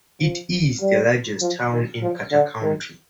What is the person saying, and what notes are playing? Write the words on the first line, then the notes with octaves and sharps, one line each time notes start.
It is the largest town in Carter County.
F3
G3
F3
D#3
F3
D3
D#3